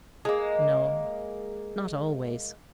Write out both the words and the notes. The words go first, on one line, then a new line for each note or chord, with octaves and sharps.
"No, not always."
G#3 A#3